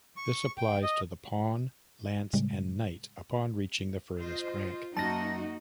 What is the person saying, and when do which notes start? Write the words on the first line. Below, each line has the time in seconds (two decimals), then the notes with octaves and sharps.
This applies to the pawn, lance and knight upon reaching the furthest rank.
0.17 C#6
0.57 G5
0.83 D#5
2.33 A2 C#3 G3 G#3
4.20 F4 C5 D#5
4.97 F#2 A#3 D#4 F#4 D#5 A5 A#6